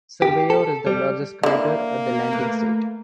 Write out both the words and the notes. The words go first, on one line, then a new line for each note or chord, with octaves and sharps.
Surveyor is the largest crater at the landing site.
G4
A4
G3
D3 A#3 E4
A3 B4